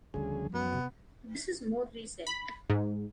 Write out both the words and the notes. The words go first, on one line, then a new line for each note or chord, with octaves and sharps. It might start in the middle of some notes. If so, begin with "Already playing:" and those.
This is more recent.
D2 C#3 F3 G3 G#4
F#2 B3
C3
B5
G#2